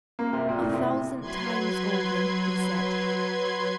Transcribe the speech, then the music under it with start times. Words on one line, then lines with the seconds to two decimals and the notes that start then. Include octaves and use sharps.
"A thousand times over," he said.
0.19 A#3
0.33 C3
0.49 A#2
0.62 A2
0.74 C3
1.20 F#3 B4 C6 G#6